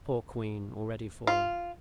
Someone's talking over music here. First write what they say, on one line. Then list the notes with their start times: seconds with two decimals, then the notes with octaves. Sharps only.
Poor queen, already fallen!
1.27 F4